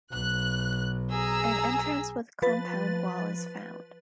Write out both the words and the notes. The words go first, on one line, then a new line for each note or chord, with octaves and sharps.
An entrance with compound wall is found.
B1 F#6
G#4 A#5 E6
F3 B4 A6